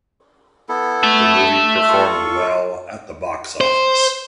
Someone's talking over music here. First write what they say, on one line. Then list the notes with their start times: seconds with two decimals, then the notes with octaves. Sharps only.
The movie performed well at the box office.
0.69 B3 E4 A4
1.03 E5 A5
1.89 F4 A4 C#6
3.61 C5